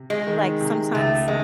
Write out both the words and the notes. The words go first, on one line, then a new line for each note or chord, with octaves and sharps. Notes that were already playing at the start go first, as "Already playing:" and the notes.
like sometimes
Already playing: C3
G#3
D#3
C3
C#2 A3
D#3 G#3